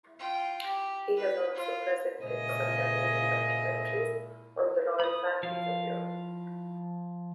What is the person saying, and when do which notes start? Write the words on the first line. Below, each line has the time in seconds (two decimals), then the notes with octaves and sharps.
He has also presented some television documentaries on the royal families of Europe.
0.19 F4 G5
0.64 G4
1.16 B4
1.55 F4
2.23 A#2 C#3 G#3 G#4 D#5 E5
5.00 B5 D#6
5.43 F3 F5